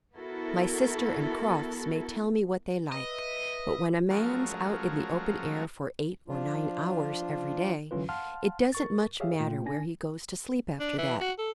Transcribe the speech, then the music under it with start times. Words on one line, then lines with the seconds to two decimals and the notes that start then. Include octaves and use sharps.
My sister and Crofts may tell me what they like, but when a man's out in the open air for eight or nine hours every day, it doesn't much matter where he goes to sleep after that.
0.15 B3 E4 F#4 A4 A#4
2.92 B4 D#5 E5
4.10 F3 F#3 G#3 A3 C#4 A#4
6.28 F3 D4 F4
7.91 D3 E3 F#3 C#4 F4 B4
8.09 F5 F#5 A5 C6 F6
8.72 A#4 C#6 A6
9.20 G4 G#4 C#5 E5 F5
9.40 A#2 A3 F4 G5
9.66 D4 G#5 A#6
10.80 D4
10.98 E3
11.20 F#4
11.38 A4